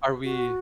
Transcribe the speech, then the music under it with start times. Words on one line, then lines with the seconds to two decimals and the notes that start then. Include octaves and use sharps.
are we
0.24 F#4